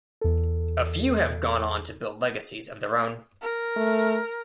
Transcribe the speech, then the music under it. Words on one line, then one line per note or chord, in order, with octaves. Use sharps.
A few have gone on to build legacies of their own.
E2 A4
A#4
A3